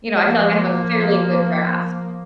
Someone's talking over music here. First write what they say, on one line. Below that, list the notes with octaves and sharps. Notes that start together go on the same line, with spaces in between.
you know, I feel like I have a fairly good grasp.
F3 A#3